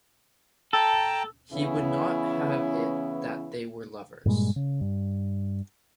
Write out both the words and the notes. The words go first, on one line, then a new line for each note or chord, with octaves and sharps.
He would not have it that they were lovers.
A4 G5 A5 A#5
C#3 E3 B3 C#4 E4
G2 A#2 G3 G#3
C#3
G2